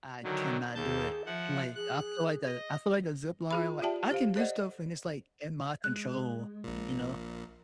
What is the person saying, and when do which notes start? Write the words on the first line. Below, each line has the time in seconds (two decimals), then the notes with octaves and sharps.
I cannot do it, like, I feel like the I feel like the zipline, like I can do stuff when it's, like, in my control, you know?
0.23 D3 D#3 F#3
0.75 D#2 G#4 A5 G6
1.26 F3 E5 F#5
1.75 G#4 F#6
2.47 D#5
3.51 F4 G#4 B5
3.82 F4 G4 D5 E5 G5 A5
4.11 G4 C5 F5
4.36 A4 C5 D5 D#5 F#5
5.84 G#3 F#6
6.64 A#1 A#2